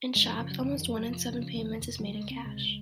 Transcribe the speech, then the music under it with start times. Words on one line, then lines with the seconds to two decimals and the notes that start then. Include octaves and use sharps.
In shops, almost one in seven payments is made in cash.
0.16 F#1 G#3
0.23 D#3
0.28 F3
0.39 C#3 F3
0.51 F#3
0.62 F2 F3
0.74 D#3
0.85 F#1 F3
0.97 F#3
1.08 F1 F3
1.31 C#3
1.54 D#2
1.77 F1
2.00 C#2 F#3
2.15 G#3
2.23 C#2
2.31 C4
2.45 C3 G#3